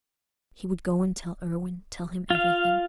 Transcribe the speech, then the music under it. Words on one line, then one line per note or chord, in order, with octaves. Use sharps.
He would go and tell Irwine--tell him everything.
F4 F5